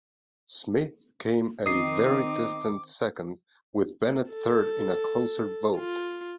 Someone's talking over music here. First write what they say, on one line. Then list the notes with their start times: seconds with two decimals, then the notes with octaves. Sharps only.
Smith came a very distant second with Bennett third in a closer vote.
1.66 D#3 C4 D#4 D6 D#6 C7
4.30 A4
5.77 F4